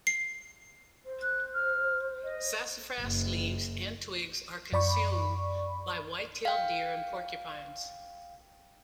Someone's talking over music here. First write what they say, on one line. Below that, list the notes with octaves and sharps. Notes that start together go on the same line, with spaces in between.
Sassafras leaves and twigs are consumed by white-tailed deer and porcupines.
C7
C5
F#6
F6
D#5
F#1
F#2 D5 B5 C#6
F5 G5